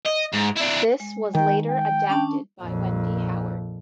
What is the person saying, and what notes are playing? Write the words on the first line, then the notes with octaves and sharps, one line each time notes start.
This was later adapted by Wendy Howard.
D#5
G#2
D4 E4
G#3
D#3 G5
G5
C#4 D4 A5
A#1 F2